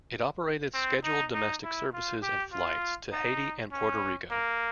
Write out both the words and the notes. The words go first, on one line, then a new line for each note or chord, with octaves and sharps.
It operated scheduled domestic services and flights to Haiti and Puerto Rico.
C4
D#4
D#4
E4
F4
G4
F4
D#4
C#4
A#3